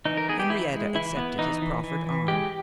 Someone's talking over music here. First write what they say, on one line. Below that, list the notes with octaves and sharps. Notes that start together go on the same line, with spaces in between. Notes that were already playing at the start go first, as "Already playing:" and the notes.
Henrietta accepted his proffered arm.
E3 D#4
A#4
B3 G#4
G4
E3 E4
G#3
E3 E4
B3
E3 D#4
E3
E3
E3
G#3 G4